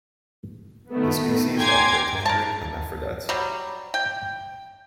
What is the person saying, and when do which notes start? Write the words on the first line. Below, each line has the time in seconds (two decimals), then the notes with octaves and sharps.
The species are protandric hermaphrodites.
0.90 D#3 A3 B3
1.59 G5 G#5 A#5 C6 D6 G#6
2.25 A#4 A5
3.29 F#3 G3
3.94 G5